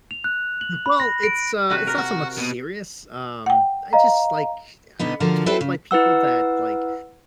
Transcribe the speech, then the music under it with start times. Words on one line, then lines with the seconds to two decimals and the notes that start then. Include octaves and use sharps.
Well, it's, uh, it's not so much serious. Um, I just, like, I I've been told by people that, like,
0.11 F7
0.24 F#6
0.61 F#7
0.86 B5
1.00 A#6
1.23 D7
1.70 C3 F#4 B4
1.87 A#4
1.99 F#4
2.38 B2
3.46 F#5 G5
3.93 D#5 F5 A#5
4.99 B2 D3 B3 D#4
5.20 D3 F3 F#4 A#4
5.46 C4 E4 A4 B4 C5
5.61 C#3
5.91 E4 B4 F#5 E6